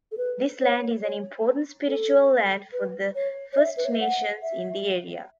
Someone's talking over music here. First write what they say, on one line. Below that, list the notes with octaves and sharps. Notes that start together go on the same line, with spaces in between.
This land is an important spiritual land for the First Nations in the area.
A4
B4
C#5
C#5
A4
B4
C#5
C#5
E5
B4
C#5
E5
F#5
E5